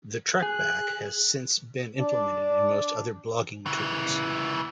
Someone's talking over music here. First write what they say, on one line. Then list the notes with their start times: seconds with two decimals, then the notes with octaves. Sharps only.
The TrackBack has since been implemented in most other blogging tools.
0.42 G#4 F#6
1.97 D4
3.66 C#3 E3